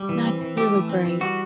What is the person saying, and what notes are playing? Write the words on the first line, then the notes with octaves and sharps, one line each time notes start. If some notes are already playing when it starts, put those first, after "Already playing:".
That's really great.
Already playing: G3
E3
C4
E3
A3 G4
E3
C4
E3
G3 F#4